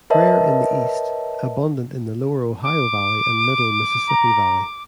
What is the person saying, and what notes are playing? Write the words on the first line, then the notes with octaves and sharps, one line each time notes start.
Rare in the east, abundant in the lower Ohio Valley and middle Mississippi Valley.
A#4 B4 C#5 D#5 E5 A5
D6
A#5